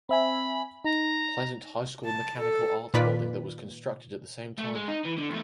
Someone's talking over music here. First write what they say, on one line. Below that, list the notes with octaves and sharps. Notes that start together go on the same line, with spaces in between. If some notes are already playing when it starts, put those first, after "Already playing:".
Pleasant High School Mechanical Arts Building that was constructed at the same time.
C4 E5 G#5 B5
D#4 A#5
A5
A4
A#2 D#3 F4 B4 D5 B6
A3
G#3
D#4
E3
D3
E2 A3